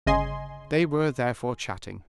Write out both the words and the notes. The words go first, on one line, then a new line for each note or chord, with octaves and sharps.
They were therefore chatting.
G1 C#3 D#5 G#5 C6